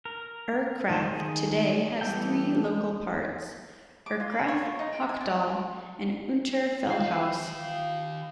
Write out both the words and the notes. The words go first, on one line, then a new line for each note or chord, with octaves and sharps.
Erkrath today has three local parts: Erkrath, Hochdahl and Unterfeldhaus.
A#4
D#3 A3 A4 C5
D#3 G#4
E3 G3 B3 A4 G5
D6
F4
B4
C#5
F4
D#4
G5
G#5
D5
D#3 F4 F5 G5 C7